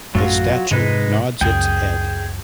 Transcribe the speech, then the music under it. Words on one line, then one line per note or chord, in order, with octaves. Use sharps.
The statue nods its head.
A1 F#2 F#3 A3 F4 F#4
G#2 C3 G#3 D#4 B4
C#2 F#2 G#4 G5